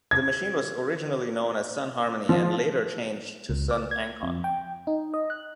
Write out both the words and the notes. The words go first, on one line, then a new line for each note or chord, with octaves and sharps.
The machine was originally known as Sun Harmony and later changed to Sun Ancon.
G#6
F3
C#2
D5
G#6
F2
G5
D#4
D#5
F#6